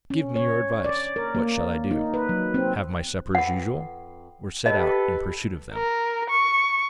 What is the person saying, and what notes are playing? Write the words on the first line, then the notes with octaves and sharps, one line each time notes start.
'Give me your advice; what shall I do--have my supper as usual, or set out in pursuit of them?'
C#4
C#5
D5
A#4
A#3
D#4
B4
F#3
C4
F2 B4 F#5
G4 A4 B4 D#5
A#4
C#6